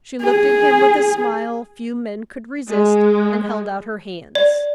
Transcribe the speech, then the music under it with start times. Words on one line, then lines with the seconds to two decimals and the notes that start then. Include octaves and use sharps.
She looked at him with a smile few men could resist, and held out her hands.
0.22 G#4
2.69 G#3
4.35 D5